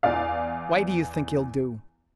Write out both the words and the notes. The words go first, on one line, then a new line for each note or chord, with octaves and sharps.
"Why do you think he'll do?"
E2 E3 D5 F5